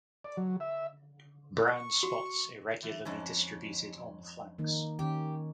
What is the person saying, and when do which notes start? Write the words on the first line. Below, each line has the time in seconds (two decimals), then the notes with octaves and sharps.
Brown spots irregularly distributed on flanks.
0.24 D5
0.37 F#3
0.60 E5
1.67 C#6
2.03 F#4
2.83 E2
3.05 F2 G#2 C#4
4.58 D#3 A#3 D#4
4.99 D#3 C#4 G4